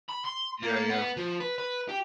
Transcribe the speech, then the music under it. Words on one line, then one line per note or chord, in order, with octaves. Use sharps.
Yeah, yeah.
B5
C6
A#3
B3
F3
B4
B4
G4